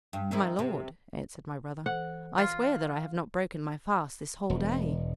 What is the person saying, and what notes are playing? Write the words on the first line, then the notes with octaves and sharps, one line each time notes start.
"My lord," answered my brother, "I swear that I have not broken my fast this whole day."
G2
D#3 C4 E4
C3
E3 A4 C5 F#5
F4
E1